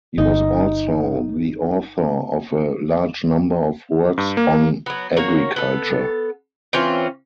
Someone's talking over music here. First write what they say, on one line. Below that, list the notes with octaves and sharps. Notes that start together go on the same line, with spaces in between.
He was also the author of a large number of works on agriculture.
G1 D#4
G2
A#3
F#3 B3
A#3 F#4 C#5
B3 A4
E3 C4 C#4 F4